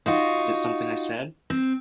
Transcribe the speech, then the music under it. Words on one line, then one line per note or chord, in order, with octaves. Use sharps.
Is it something I said?
D#4 F4 F#4
C4